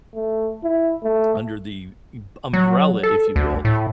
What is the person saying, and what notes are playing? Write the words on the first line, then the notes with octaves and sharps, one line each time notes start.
under the m umbrella, if you will,
A3
E4
A3
F#3
A4
D2
A2